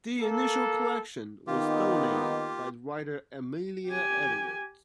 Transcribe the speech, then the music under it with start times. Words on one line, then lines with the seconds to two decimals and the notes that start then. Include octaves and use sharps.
The initial collection was donated by the writer Amelia Edwards.
0.20 A#3 A4
1.47 D#3 A#3 B3 D#4 F4 G4
3.87 G4 G#5